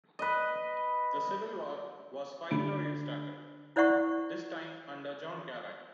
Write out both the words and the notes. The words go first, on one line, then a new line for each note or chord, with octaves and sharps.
The civil war was finally restarted, this time under John Garang.
B4 D#5
D3 B5 D7
E4 C5 D5 E5 F#5 C#6